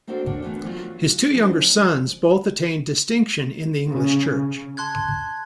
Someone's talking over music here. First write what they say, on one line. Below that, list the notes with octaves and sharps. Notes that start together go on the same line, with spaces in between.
His two younger sons both attained distinction in the English church.
A#3 C4 D4 F#4 A4 A#4
D4 A#4 C#5
D3 E3 A3 B3 C4
F#3 F4
F3 G#3 C#4 D4
C#3
A5 C6 F#6 G#6